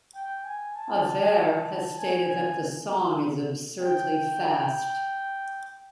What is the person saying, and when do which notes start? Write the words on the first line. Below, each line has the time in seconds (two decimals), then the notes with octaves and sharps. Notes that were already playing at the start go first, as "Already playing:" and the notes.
Averre has stated that the song is absurdly fast.
0.15 G5
0.44 G#5
0.76 A5
1.98 G#5
2.28 G#5
3.81 G5